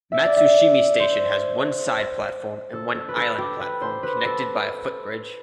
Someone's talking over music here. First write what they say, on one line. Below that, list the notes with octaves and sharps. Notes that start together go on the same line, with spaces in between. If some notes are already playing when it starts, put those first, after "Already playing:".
Matsushima Station has one side platform and one island platform connected by a footbridge.
E5
D5
E5
C5
A4
A4
B4
A4
G4
B4
C5
B4
A4